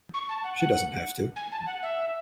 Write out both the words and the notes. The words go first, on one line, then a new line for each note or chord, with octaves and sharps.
She doesn't have to.
C#6
A5
F#5
F#5
G#5
A5
F#5
E5